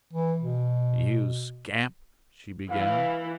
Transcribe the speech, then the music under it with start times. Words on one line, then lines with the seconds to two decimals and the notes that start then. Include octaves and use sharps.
"You scamp--!" she began.
0.13 E3
0.38 B2
2.70 E3 F5